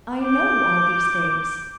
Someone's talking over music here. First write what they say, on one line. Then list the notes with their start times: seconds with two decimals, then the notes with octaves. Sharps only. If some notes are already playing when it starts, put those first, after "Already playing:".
I know all these things.
0.23 D6 G6